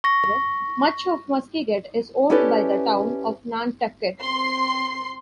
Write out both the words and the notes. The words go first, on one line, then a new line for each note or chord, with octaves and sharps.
Much of Muskeget is owned by the town of Nantucket.
C#6 A#6
C#4 E4 G4 A4 B4 D5
C4 C6 C7